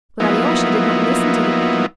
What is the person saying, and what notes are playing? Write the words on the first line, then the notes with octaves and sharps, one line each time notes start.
But Alyosha did not listen to the reading.
F3 F#3 A#3 B3 D#4 E4